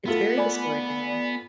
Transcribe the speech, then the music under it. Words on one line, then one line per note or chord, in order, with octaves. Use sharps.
It's very discouraging.
A3 B3 F4 A4
D5 G#5 B5